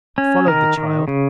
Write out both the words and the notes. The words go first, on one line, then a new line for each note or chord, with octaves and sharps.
I followed the child.
C#4
D#3 A#4
D#3
C#3